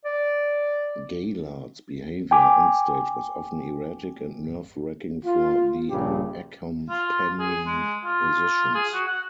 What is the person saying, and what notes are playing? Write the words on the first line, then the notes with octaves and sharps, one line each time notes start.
Gaillard's behaviour on stage was often erratic and nerve-wracking for the accompanying musicians.
D5
G5 G#5 D6
F4
A#1 G2 C#3 G3 G4
F4
G#4
G#3
F4
G#4
F#4
F#5